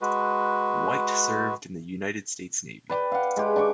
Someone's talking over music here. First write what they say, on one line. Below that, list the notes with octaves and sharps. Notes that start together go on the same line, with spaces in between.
White served in the United States Navy.
G#3 F#4 B4
B4 D5 G5
F5 F#5
G#3 G4
D4 G5 C#6 D6